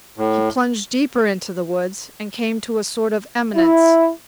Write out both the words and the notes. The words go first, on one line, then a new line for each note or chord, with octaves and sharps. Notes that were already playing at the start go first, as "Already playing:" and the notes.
He plunged deeper into the woods and came to a sort of eminence.
A2
E4